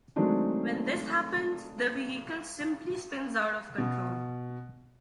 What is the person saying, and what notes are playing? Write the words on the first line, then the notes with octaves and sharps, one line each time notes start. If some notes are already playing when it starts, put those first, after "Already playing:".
When this happens, the vehicle simply spins out of control.
D#3 F#3 G#3 A3 C4 D4
B2